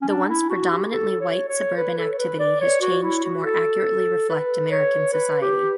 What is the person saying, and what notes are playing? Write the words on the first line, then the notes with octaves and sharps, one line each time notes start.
The once predominantly white, suburban activity has changed to more accurately reflect American society.
C#4
D4
E4
F#4
G4
A4
C#5
C#5
B4
A4
C#5
B4
D5
C#5
F#4
E4
F#4
A4
B4
C#5
B4
G4